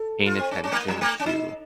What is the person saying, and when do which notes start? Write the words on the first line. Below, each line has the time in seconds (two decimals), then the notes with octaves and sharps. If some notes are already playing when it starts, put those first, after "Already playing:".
paying attention to
Already playing: A4
0.26 F4
0.39 C4
0.51 C#4
0.64 C#4
0.72 A3
0.76 A#3
0.88 F#3
1.01 A3
1.20 C#4
1.26 D#4